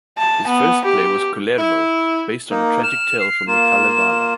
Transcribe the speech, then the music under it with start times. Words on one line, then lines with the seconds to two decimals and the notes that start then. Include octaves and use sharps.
His first play was "Kullervo", based on a tragic tale from the "Kalevala".
0.18 A5
0.48 B3
0.85 G4
1.58 E4
2.51 A#3 D#4
2.83 F6 E7
3.20 C7
3.47 A#3 F4 E7